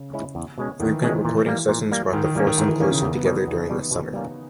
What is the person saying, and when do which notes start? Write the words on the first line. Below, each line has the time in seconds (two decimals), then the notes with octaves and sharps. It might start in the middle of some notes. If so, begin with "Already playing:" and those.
Frequent recording sessions brought the foursome closer together during the summer.
Already playing: C#3
0.13 G#3 C#4 E4
0.35 E2
0.58 B2 G#3 C#4
0.80 E2 D#3
0.91 E3
1.02 B2 G#3 C#4
1.13 E3
1.25 A#2
1.46 G3 A#3
1.69 A#2
1.92 G3 A#3
2.13 G#2 D#3
2.24 D#3
2.35 D#3 G3 A#3 C#4
2.47 D#3
2.58 G#2 E3
2.69 D#3
2.80 D#3 G3 A#3 C#4
2.91 C#3
3.02 E2 E3
3.13 B3
3.25 B2 G3 D#4
3.47 E2
3.69 B2 G3
3.91 B2
4.14 G3 A#3 C#4